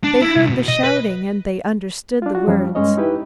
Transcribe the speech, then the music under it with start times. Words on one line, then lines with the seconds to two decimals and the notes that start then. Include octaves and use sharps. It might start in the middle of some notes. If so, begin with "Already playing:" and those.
They heard the shouting, and they understood the words.
0.04 D4
0.21 E4
0.36 C2
0.49 B2
0.68 D#5
0.84 B4
2.22 D4 F4
2.35 F#4
2.47 F#2 F3 G3 C#4
2.75 G2 G#3 C#4 C#5 D#5
2.97 D#4 E4 G4 B4